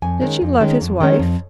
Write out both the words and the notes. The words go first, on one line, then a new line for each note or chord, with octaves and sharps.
Did she love his wife?
F2 G#5
D#3 G#3 C#4
F2
D#3 G#3 C#4
F2
D#3 G#3 C#4
F2